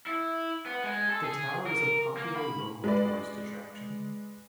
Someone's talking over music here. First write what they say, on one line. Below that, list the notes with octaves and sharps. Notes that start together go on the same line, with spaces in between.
The tower is a popular local tourist attraction.
E4
B3
G#3
A4
G#4
A#4
A#3
B5
G#3 B4 D5